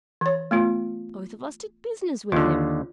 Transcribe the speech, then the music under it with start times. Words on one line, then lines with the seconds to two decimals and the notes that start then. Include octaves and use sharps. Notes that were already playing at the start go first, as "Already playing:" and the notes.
Both of us did business with him.
0.21 E3 C#5
0.51 A3 B3 F4
2.32 D#2 D3 F4